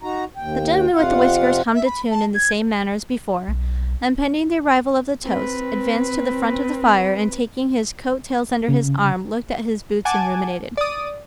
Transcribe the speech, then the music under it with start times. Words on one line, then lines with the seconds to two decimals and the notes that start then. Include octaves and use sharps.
The gentleman with the whiskers hummed a tune in the same manner as before, and pending the arrival of the toast, advanced to the front of the fire, and, taking his coat tails under his arms, looked at his boots and ruminated.
0.03 D#4 F#4 A#5
0.37 D#2 G5
0.94 F2 C3 F4 F5 F#5
1.74 E5
1.86 B5
2.11 A5
2.35 G#6
3.48 B1
5.23 C4 B4
8.68 C#3
10.05 F#5 G#5 A5 D6
10.77 D5 D#6